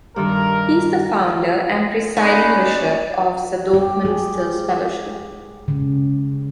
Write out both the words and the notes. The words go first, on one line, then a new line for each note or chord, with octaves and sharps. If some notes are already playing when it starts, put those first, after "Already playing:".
He is the founder and presiding bishop of Zadok Ministers Fellowship.
G2 D#3 A4 A#4
C#4 D#4 B4 D5 B5
G4
G#4
C#3